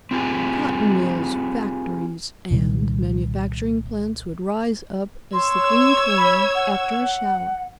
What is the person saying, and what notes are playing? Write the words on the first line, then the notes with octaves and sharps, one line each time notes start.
Cotton mills, factories, and manufacturing plants would rise up as the green corn after a shower.
C4 F4 G4 G#4
C2 A#2 D#3 G3
C#5 C6 E6 G#6
B5
F#5